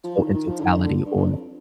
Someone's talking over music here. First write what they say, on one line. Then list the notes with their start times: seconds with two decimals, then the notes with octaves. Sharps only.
to in totality or
0.04 F3
0.18 D#3
0.34 D#3
0.48 F3
0.60 D3
0.64 D#3
0.78 D3
1.05 G2
1.17 G2
1.28 F2